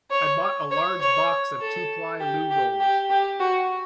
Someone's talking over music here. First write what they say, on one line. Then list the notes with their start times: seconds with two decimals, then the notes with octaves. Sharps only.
I bought a large box of two-ply loo rolls.
0.11 C#5
0.71 C#5
1.01 C#5
1.61 A4
2.20 G4
2.51 G4
2.80 G4
3.10 G4
3.40 F#4